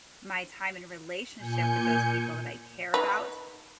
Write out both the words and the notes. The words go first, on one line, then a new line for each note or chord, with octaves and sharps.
my time and relationship with those people that I care about,
A#2 G#5 G6 C#7
D#4 B4